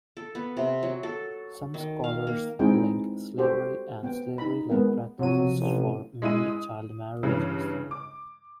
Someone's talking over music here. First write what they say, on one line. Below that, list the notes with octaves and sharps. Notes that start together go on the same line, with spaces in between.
Some scholars link slavery and slavery-like practices for many child marriages.
A4
B3
C3
F#3
A4
D#3
F5
A#3
G#3 C4 D#4 E4 G#4 G5
F#4 G4 A4 C5
B3 G5
D#4 B5
G#3 B3 A#4
C3 F3 F#3 D#7
A1
G#3 E4 D#6 D#7
D#6
G2 C#3 E3
D6